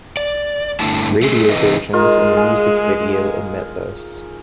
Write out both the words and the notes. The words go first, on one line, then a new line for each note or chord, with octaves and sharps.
Radio versions, and the music video, omit this.
D5
G2 D3 A3 D4 E4 A5
A3 G#4
C3 E3 F4 A4 B4 D#5
G#3 D#4 F4 A#4
G#4